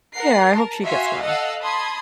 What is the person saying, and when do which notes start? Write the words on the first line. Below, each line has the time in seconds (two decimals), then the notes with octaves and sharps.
Yeah, I hope she gets well.
0.16 A#4 F#5 C7
0.50 A#4 A5
0.82 F#4 E5 F5 G#5 C6
1.23 A4 D#5 F5 F#5 E6 F#6
1.61 A5 B5 C6 D#6 G#6